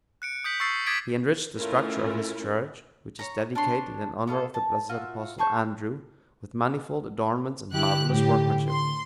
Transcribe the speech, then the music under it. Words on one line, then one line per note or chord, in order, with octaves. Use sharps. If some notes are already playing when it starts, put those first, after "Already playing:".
He enriched the structure of his church, which is dedicated in honour of the blessed Apostle Andrew with manifold adornments and marvellous workmanship.
F#6 C#7 D7
D#6 G6 B6 F#7
C#6 E6 A6 C7 C#7
D6 D#6 G#6 A6 B6 D7
A3 C#4 E4 F4 A#4
C#5 A#5
D4 C#5 C6
B3 F4 A4
A5
F4 F#4 E5
G#4 A5 C#6 G6
D3 E4 G4 F#6
A2 G4
C6